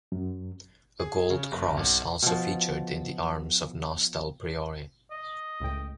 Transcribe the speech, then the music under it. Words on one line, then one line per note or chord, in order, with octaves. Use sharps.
A gold cross also featured in the arms of Nostell Priory.
F#2
G#4
C#3
F#1
B1
B2 F3
D#5
C#2 A2 G5